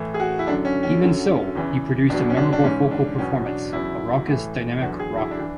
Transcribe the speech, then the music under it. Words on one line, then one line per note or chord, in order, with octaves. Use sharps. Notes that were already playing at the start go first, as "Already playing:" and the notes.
Even so, he produced a memorable vocal performance: a raucous, dynamic rocker.
Already playing: A2 E3
G#4
F#4
E4
F#2 D3 F#3 D4
C#4
C#4
F#2 D3 F#3
E2 C#3 E3
E2 B2 F#3 D4
C#4
D4
D4
G#2 E3 C#4
D4
E2 B2 F#3 C#4
D4
E2 C#3 F#3 E4
A2 E3
E2 D3 F#3 F#4
G#4
E4
D4
E3